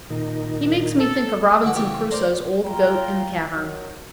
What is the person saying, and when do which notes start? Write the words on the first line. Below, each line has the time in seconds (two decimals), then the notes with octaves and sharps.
He makes me think of Robinson Crusoe's old goat in the cavern.
0.10 A#2 D#3 D#4
1.00 A4
1.62 D3 E3 F#5
1.75 C#3 E3 A3 G4
2.11 A#4 C5 D5 A#5 C6
2.66 F4 G5 A#5
3.54 D#3 F#3